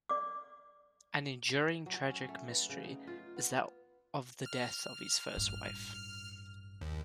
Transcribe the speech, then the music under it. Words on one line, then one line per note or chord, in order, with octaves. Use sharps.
An enduring tragic mystery is that of the death of his first wife.
D5 D6
F#3
C#4
A3
B3
C#3
D#4
F4
B3
F6
A1 G2
D#2